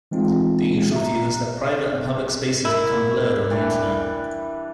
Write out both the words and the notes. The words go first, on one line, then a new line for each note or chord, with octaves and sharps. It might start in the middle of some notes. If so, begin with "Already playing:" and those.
The usual view is that private and public spaces become blurred on the Internet.
E3 G#3 C4 D#4 F4
E5 A#5
E4 A#4
E3 G3 D4